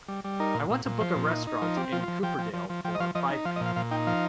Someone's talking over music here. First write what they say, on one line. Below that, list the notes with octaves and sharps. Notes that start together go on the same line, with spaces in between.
I want to book a restaurant in Cooperdale for five people.
G3
G3
D#4 A#4
A#2
A#2
A#2
F3 C5
A#2
D#4
D#4
F3 A#4
C4 G4
F3 F4
F4
F3
F3 G5
F3
F3
F3
F3 G5
D#5
F3 F5
F3 D#5
D#4
F3 F5
D#5
A#2
F5
A#2 F5
D#4 G5
F3 F5